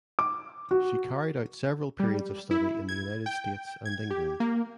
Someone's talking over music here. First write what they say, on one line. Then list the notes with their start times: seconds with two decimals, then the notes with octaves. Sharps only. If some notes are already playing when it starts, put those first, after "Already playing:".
She carried out several periods of study in the United States and England.
0.19 D6
0.71 F#4
2.00 G3
2.51 E4
2.89 G#6
3.26 G5
3.85 G#6
4.11 G4
4.40 A#3